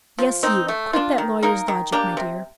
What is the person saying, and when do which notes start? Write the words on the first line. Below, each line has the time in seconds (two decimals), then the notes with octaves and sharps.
"Yes, you; quit that lawyer's logic, my dear."
0.19 F3
0.43 C4 D#4
0.68 A3
0.93 D4 F4
1.18 D#3
1.43 A#3 D#4 A#4
1.68 D#3
1.92 A#3 D4 G4
2.17 C3